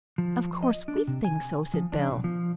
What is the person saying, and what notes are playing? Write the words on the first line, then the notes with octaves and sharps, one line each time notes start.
"Of course we think so," said Bell.
F3
D#5
D4
C3
G#5
F3
D4
B2
F3